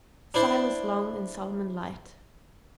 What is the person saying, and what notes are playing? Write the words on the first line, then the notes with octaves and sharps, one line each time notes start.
Silas Long and Solomon Light.
D4 E4 C5 D5